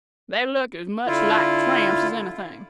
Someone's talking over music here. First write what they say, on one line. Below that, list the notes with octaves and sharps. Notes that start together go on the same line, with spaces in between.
They looked as much like tramps as anything.
D3 E4 F4